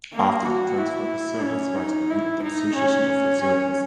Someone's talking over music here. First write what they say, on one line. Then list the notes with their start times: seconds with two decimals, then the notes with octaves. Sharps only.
After the transfer, he served as vice-president of the Association of Reservists.
0.13 A#3
0.45 F#4
0.78 E4
1.44 C#4
1.76 D#4
2.10 E4
2.43 D#4
2.75 C#4
3.41 C#4